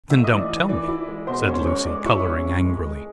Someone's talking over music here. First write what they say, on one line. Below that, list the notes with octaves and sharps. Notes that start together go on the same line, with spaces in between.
"Then don't tell me," said Lucy, coloring angrily.
A3 E5 E6
D#5 D#6
E3
D5 D6
E3
E3 D5 D6
E4
G#3
B2 C5 C6
C#4 C5 C6
G#3 C#5 C#6
G#3 D5 D6
E4 C#5 C#6
C#4
G#3
G#3
G#3